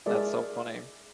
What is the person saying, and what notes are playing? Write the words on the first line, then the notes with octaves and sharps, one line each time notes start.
that's so funny.
G#3 G#4 A#4 D5 E5